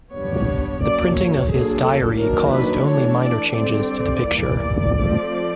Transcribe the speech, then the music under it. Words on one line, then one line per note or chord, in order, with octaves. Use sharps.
The printing of his diary caused only minor changes to the picture...
G3 B3 D4 C#5
F#3 A#3 C#4 D5
C#5
D3 F#3 A#3 D4 G#4
A4
D#3 F#3 A#3 D4 A#4
B4
E3 A3 D4 C#5
D5
D3 G3 C4 D5
E3 G3 A#3
F3 A3 C4